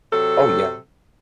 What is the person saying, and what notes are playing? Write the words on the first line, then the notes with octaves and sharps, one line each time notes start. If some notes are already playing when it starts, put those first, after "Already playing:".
Oh, yeah.
C3 F#3 A4